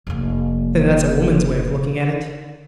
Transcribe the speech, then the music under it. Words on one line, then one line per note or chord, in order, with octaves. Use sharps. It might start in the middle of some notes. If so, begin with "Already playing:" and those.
"That's a woman's way of looking at it!"
F1 A#3